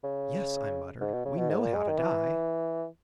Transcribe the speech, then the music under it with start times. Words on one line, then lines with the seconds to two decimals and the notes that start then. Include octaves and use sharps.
"Yes," I muttered, "we know how to die!"
0.04 C#3
1.01 G#2
1.13 B2
1.25 C#3
1.38 B2
1.50 G#2
1.61 A#2
1.75 G#3
1.89 D#3
1.98 E3